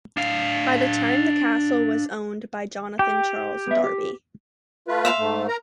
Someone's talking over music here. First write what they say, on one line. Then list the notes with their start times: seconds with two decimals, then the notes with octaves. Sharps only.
By the time the castle was owned by Jonathan Charles Darby.
0.17 D4 F5
2.99 G4 G5
3.67 B3 E5
3.84 G4
4.88 A3 F4 B4
5.05 E5 F5 C6
5.18 G#2 A3
5.48 A#4 A#5